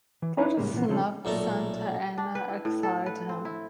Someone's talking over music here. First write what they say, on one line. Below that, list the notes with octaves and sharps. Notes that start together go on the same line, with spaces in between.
For this snub, Santa Anna exiled him.
E3
C#4 D#4 E4 B4 F5 A#5
A2 C#3 G3 G#3 A#3
A#2 E3 F3 A#3 B3
C#3 F3 C4 C#4 D#4 A4
B1 A#2 A3 A#5
D4
B4
E4
A2
A4
B4
C4
E4